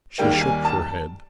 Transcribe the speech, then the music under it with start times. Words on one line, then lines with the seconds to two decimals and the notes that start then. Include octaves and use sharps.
She shook her head.
0.18 D#2 D#3 G3 A#3 G5
0.41 G#5
0.65 A5